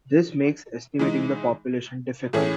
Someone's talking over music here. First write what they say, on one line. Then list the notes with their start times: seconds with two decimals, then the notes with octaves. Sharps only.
This makes estimating the population difficult.
0.99 E3 G#3 D#4
2.33 A2 E3 A3 C#4 G#4